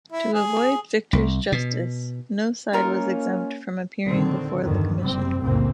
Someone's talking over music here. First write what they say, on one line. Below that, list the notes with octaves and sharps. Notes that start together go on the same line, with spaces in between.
To avoid victor's justice, no side was exempt from appearing before the commission.
E4
G#4
C2
B2
A#3 C#4 D#4 F4 A#4
A#2 D3 D#3 C4
E2 G2 D3 D#3
F#1 C3 G3 C4
C2 F2 A2 C#3 A#3 C4